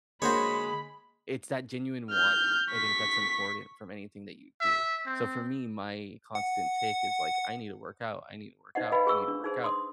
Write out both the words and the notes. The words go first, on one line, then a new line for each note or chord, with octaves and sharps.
it's that genuine want. I think that's important from anything that you do. So, for me, my constant take is, like, I need to work out, I need to work out, I need to work out.
D3 G#3 A#3 F#4 C5 C#5 B5
F6 G6
C#6 B6
E5
C4
F#5
D#4 C5 D#5 F#5
B4 D#5 F5 G5 G#5 B5
G#4 G5 C#6 E6
D4
D#4 G#4 C5
C6 D#6